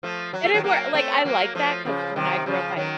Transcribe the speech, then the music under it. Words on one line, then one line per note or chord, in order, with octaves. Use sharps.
and it worked like, I like that 'cause when I grew up I
F3 A3
F#3
A3
D#3 F#3
F#3 A#3
A3 C4
F#3 A#3
F3 A3
C#3 F3
C3 D#3
C#3 F3
D#3 F#3